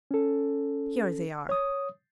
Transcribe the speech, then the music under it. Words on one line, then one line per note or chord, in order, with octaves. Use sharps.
Here they are...
C#4 A4
C#5 D#6